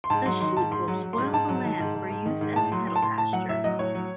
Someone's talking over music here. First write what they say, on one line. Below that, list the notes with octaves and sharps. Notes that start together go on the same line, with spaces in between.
The sheep will spoil the land for use as cattle pasture.
C6
G#2 A5
F#3 C6
D#3 C6
G#2 A5
G#2 C6
F#3
F#3
G#2 C6
G#2 A5
F#3
D#3
G#2
G#2
G#2
D#3
G#2
A2 A5
F#3 C6
A2 C6
A5
A2 C6
A2 A5
F#3 F#5
A2 E5
F#3 D#5
A2 C#5
F#3